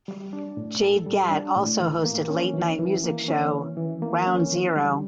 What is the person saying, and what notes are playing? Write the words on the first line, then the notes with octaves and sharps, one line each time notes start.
Jade Gatt also hosted late night music show "Ground Zero".
G3
D4
A2
A4
G3
D4
A2
E3
A#3
C#4
E3
E3
A#3
C#4
E3
E3
A#3
C#4
E3
G3